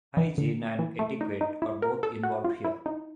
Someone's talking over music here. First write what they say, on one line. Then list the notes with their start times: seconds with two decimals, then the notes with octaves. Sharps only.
Hygiene and etiquette are both involved here.
0.17 E3
0.38 D3
0.79 E3
0.99 A3
1.21 D#4
1.41 D#4
1.62 E4
1.82 A#4
2.03 A4
2.23 F#4
2.45 F4
2.65 E4
2.86 D#4